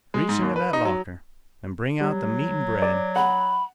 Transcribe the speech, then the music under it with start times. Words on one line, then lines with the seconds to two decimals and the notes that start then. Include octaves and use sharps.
Reach into that locker an' bring out the meat an' bread.
0.14 G#3
0.29 G#2
0.42 D#2
0.56 B4
0.73 D#4
0.85 F#3
2.01 F#3 G3
2.82 D5
3.16 F#5 B5